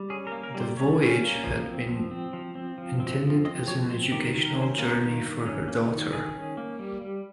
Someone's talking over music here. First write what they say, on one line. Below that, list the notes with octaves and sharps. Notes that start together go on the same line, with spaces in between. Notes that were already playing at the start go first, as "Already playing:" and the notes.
The voyage had been intended as an educational journey for her daughter.
Already playing: G3
C#4 G#4
A#4
A#3
A#4
G3
C5
G3 C#5
C#4
A#3
F3
C4
F3
C4
F3
C4
F3
C4
F3
C4 D#5
F3 C#5
C4 C5
D#3 G4
D#3
A#4
C#4
C5
A#3 A#4
D#3
D#3
C#4
A#3
D#3
D#3 G#4
C#4
A#3
G3
G3